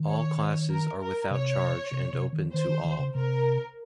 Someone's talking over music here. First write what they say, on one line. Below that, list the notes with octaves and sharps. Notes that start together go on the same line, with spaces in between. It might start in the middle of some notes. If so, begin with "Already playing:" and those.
All classes are without charge and open to all.
Already playing: D#3
C#5
A#4
A#4
C3 C#5
C3
C3
D#3
D#3 C5
D#3
D#3
C#3
C3 A#4